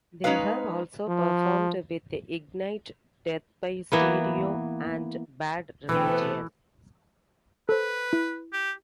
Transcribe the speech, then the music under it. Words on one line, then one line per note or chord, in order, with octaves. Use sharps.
They have also performed with Ignite, Death By Stereo, and Bad Religion.
G#3 C#4 D#4 B4 F5
F3
E3 A#3 B3
B2 E3 A3 B3 C4 B4
A4 B4 C5
E4
G4